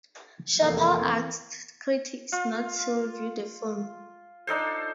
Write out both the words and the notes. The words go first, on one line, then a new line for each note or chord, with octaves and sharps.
Chappelle asked critics not to review the film.
F1 E2 A#3 C7
E3 B3 C4
F4
D4 D#4 A4 C5